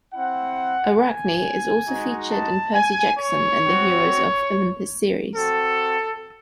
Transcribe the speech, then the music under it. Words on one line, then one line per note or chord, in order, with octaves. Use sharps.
Arachne is also featured in the Percy Jackson and Heroes of Olympus series.
C4 E4 F#5
G#5
G#3 D#4 F#4
A5
G#5
C#5
C4 F#4
C4 F#4 A4